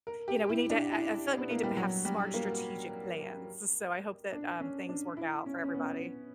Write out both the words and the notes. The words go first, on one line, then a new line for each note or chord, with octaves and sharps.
you know, we need to I I feel like we need to b have smart strategic plans. S so I hope that, um, things work out for everybody.
A#4
G4
E4
D4
E4
B3
A#3
G3
F#3
G3
A#3
D4
C#4
D4
E4
C#4
C#4
B3